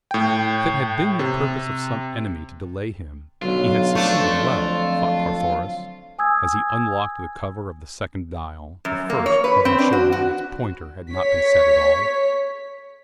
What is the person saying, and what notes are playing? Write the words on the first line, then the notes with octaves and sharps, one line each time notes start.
If it had been the purpose of some enemy to delay him, he had succeeded well, thought Carthoris, as he unlocked the cover of the second dial the first having shown that its pointer had not been set at all.
A2 G5
C3
B1 D3 F#3 F4
F2 A3 D4
G#5 D#6 E6 G#6
F#2
A#3
C#5
B4
C4
D4
F#4
F#4
C#5 B6